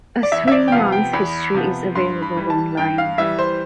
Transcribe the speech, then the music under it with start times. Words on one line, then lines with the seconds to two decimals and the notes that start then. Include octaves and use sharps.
A three-month history is available online.
0.23 D5
0.32 E2 E5
0.48 E5
0.52 D5
0.68 G5
0.72 C3 F3 B3 F5
0.92 G5
1.13 E2 B5
1.54 C3 F3 B3
1.95 G2 C6
2.22 B5
2.37 E3 G3
2.50 A5
2.77 G2 G5
2.98 F5
3.18 E3 G3 E5
3.39 C5